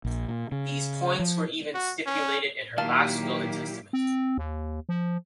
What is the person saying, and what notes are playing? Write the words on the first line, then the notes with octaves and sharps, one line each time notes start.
These points were even stipulated in her last will and testament.
A#1
A#2
C#3
F3
F#4
C#4
A#2 D#3 F#3 A#3 E4 G4 F5 A5
C4
D#2
F3